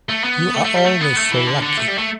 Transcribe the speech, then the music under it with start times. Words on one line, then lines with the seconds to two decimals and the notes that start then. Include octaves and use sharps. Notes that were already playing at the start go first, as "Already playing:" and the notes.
You are always so lucky.
0.09 A3
0.24 B3
0.55 A3
0.65 A3
0.76 G3
0.86 A3
1.01 B3
1.16 A3
1.32 E3
1.47 D3
1.62 D3
1.78 A3
1.88 G3
1.98 A3